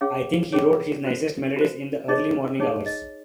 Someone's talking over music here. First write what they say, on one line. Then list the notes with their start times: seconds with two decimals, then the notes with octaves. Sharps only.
I think he wrote his nicest melodies in the early-morning hours.
0.01 C#4 G#4 C#5 F5
0.53 C#4 G#4 C#5
1.04 F#4 C5
1.56 F#4 C5
2.08 D#4 G#4 C#5 D#5
2.60 D#4 G#4 C#5
2.86 D#5